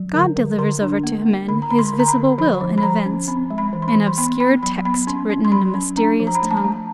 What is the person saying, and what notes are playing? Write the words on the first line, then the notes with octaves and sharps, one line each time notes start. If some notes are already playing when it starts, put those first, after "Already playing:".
God delivers over to men his visible will in events, an obscure text written in a mysterious tongue.
Already playing: F#3
D3
D3
D3 C6
D4
A#3
A#3
D3 B5
A#5
D3 B5
C6
D3
A#5
B5
D3
F3 B5
F3
B5
F3 A#5
C#4
C4 B5
G#3
B5
E3
C6
B5
E3
C6
B3 B5
B3 B5
F#3 B5
B3 B5
C#4 C6
C#4
C6
F#3 B5
C#4
D4 A#5
F3
A#5
B5
A3 A#5
A5
A#5
A3